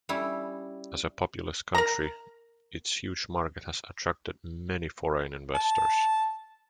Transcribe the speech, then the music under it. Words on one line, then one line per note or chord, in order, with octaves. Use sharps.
As a populous country, its huge market has attracted many foreign investors.
G3 C#4 E4
A#4 A#5
A5